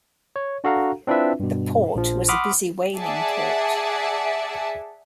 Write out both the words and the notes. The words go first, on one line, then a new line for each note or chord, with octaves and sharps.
The port was a busy whaling port.
C#5
D4 F#4 A4 F5 F#5 A#5
C4 D4 E4 F4 B4 E5
G2 B2
A#1 F3
F#5 B5 C6 D6 D#6 F6
G#4 D5 E5 F#5 A5